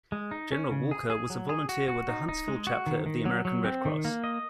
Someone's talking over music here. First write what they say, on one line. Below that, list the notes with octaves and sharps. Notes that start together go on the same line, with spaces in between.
General Walker was a volunteer with the Huntsville Chapter of the American Red Cross.
G#3
D#4
C#4
C#3
G#4
G#4
F#3
G#4
F#4
F#4
D#4
D#4
G#3
F#4
D#3
D#3
F#3
F#3
C4
D#3
A#3
D#5